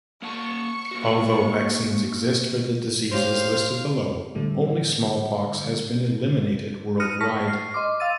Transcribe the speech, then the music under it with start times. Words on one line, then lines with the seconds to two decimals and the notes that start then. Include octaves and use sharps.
Although vaccines exist for the diseases listed below, only smallpox has been eliminated worldwide.
0.22 A#3 F#5 A5 C#6
0.91 A#3 F#4
3.11 G4 C5 C#5 F5
4.35 A2 D3 G3 A3
7.00 D#6 F6 F#6 A#6 C#7 D#7
7.20 A5 C#6 F6 A#6 B6
7.48 F6 C7
7.74 D#5 C6 D6
8.00 F5 E6 A6 D#7